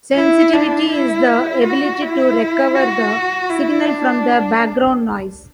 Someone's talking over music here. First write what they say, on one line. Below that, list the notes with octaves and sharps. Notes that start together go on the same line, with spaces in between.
Sensitivity is the ability to recover the signal from the background noise.
E4
D4
E4
F#4
E4
F#4
E4
D4